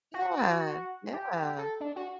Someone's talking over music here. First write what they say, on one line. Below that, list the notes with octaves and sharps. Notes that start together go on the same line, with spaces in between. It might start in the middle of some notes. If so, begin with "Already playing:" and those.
Yeah, yeah.
F#4
G4
G4
A4
D4
F#4